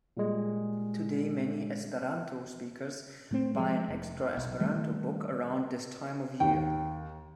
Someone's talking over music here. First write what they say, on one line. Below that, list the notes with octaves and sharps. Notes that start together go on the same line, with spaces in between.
Today, many Esperanto speakers buy an extra Esperanto book around this time of year.
A#2 G3 G#3
A2 A3 C4
F3 G#3
F1
B1
D#3 G3 A3
D#2 G5